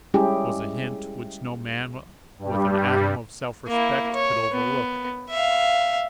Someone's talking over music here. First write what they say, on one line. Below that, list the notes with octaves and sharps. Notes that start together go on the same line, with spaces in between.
It was a hint which no man with an atom of self-respect could overlook.
G3 G#3 C#4 E4 G4 G#4
G2 G3
A#3 E4
C#5
B3
E5 F5